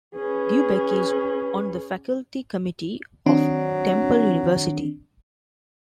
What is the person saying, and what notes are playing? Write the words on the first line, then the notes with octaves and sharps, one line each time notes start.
Dubeck is on the Faculty Committee of Temple University.
C#4 G#4 B4
D#3 F#3 C4 D4